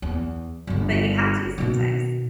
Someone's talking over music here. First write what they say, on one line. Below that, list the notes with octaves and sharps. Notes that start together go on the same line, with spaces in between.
but you have to sometimes.
E2
G1 D3
B2 D#3